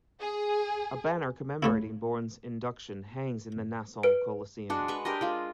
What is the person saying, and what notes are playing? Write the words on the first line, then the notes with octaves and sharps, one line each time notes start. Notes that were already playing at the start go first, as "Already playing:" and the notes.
A banner commemorating Bourne's induction hangs in the Nassau Coliseum.
G#4
C#3 A3 E4
B4 D7
G#3 D4 F#4
G#3 B4 C#6
D4 G4 A#4 D#5
G#3 F4